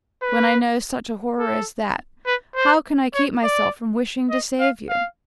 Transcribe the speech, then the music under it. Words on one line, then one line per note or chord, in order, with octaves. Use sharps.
When I know such a horror as that, how can I keep myself from wishing to save you?
B4
A4
B4
C5
C#5
D5
D#5
F5
F5